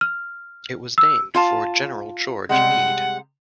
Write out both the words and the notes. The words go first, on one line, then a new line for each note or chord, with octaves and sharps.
It was named for General George Meade.
F6
E6
F4 F5 A5
C3 G3 G#3 F#5